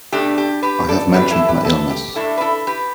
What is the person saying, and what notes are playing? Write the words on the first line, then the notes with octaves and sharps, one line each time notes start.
I have mentioned my illness.
B2 A3 D4 G4
G4
G4 B4
A4 D5
A2 E3 G3 D4 G4 B4
E4 A4
G4 B4
E4 A4
G4
A2 A3 D4 E4 A4
B4
E4 A4
G4 B4